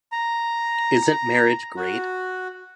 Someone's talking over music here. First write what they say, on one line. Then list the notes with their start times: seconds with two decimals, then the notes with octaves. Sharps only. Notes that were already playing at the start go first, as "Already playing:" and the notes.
Isn't marriage great?
0.12 A#5
1.77 F#4